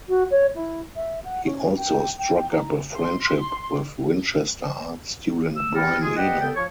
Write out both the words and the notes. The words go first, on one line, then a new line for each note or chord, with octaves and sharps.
He also struck up a friendship with Winchester art student Brian Eno.
F#4
C#5
E4
E5
F#5
C#4
G5
G5
A#5
C6
E6
C4 D4 E4 G4 A4 A#4
G#3 F4 G4 G#4
G4 B4 D5 D#5 F#5 G5
C2 B3 A4 G5
F3 C#5 C#6